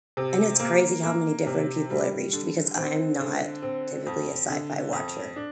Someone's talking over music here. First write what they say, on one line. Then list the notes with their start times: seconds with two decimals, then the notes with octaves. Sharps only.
I know it's crazy how many different people it reached because I am not typically a sci-fi watcher,
0.17 C3
0.60 A#3
1.03 A#3
1.47 C3
1.90 G3
2.33 D3
2.77 C4
3.20 D3
3.62 C4
4.06 F2
4.50 D3
4.93 F2
5.36 D4